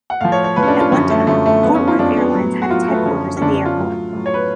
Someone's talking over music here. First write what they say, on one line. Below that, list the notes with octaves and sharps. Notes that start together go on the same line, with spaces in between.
At one time Fort Worth Airlines had its headquarters at the airport.
F#5
A2 F3 F5
C#5
C#5
A2 F3 B4
C#4
D4
F4
F#2 D3 F3 C#4
A3
F#2 D3 F3 A3
A3
F2 F3 B3
C#4
F4
F2 F3 D4
B3
A2 F#3
F#4
A2 F#3 F4
F#4
A3
B3
F#2 D3 F3 C#4
C#4
F#2 D3 F3 D4
D4
F4
A2 F#3
A2 F#3
C#5
B4